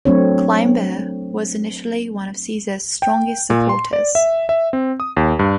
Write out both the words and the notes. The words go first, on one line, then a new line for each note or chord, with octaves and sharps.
Cimber was initially one of Caesar's strongest supporters.
F#3 A3 C4 D4 C#5
G5
A#2
C6
D5
E5
E5
C4
D#6
D#2
G2